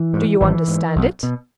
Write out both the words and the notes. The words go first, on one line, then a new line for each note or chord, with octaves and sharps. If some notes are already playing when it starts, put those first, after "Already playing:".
"Do you understand it?"
Already playing: E3
G#2
G#1 E3
G#2
B1
B2